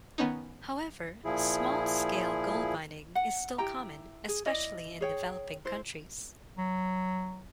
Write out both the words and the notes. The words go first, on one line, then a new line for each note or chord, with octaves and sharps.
However, small-scale gold mining is still common, especially in developing countries.
D#3 B3 C#4 D#4
A#2 F3 E4 G#4
F#5
E4 G4 G5 A#5
G#4
E4 D5 D#5
G#4 C#5 G5
E4 C5
F#3